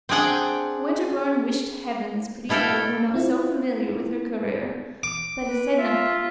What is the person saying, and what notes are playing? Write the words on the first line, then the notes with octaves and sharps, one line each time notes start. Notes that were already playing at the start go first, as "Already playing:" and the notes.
Winterbourne wished to Heaven this pretty girl were not so familiar with her courier; but he said nothing.
C4 D4 G#4 F#5 G5
B2 E4 A4 F5 G5
C4 E4 F4
D6
B4
F4 E5